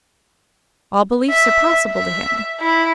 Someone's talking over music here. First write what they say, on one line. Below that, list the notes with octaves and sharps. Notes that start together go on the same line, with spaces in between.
All beliefs are possible to him.
E5
E5
E4